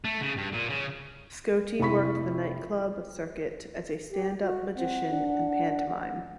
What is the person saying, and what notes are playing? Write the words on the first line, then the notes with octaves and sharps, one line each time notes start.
Scotti worked the night club circuit as a stand-up magician and pantomime.
A3
C#3
G2
A#2
C#3
F1 C3 E4 B5 C#6 B6
G4
F#4
C4 F#5
D4